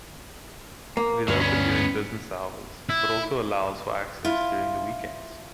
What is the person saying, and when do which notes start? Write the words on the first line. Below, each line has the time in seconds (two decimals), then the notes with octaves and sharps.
It is open during business hours but also allows for access during the weekends.
0.97 A#3
1.28 D2 G2 F#3 C#4
1.40 B3 C#4
2.89 E4
4.25 E4 F4